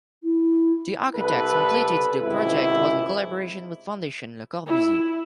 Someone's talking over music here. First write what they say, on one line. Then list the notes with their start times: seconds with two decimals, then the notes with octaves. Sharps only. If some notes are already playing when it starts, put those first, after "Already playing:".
The architects completed the project was in collaboration with Fondation Le Corbusier.
0.23 E4
1.16 C2 A4 B4
2.21 G#1 C#2 C3 E4
4.66 E4